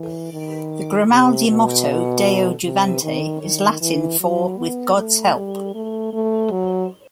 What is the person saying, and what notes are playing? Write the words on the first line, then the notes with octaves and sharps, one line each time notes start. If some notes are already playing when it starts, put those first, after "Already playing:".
The Grimaldi motto, "Deo Juvante", is Latin for "With God's help".
Already playing: E3
D#3
C3
B2
C3
D#3
D#3
E3
F#3
B3
A3
G3
A3
A3
F#3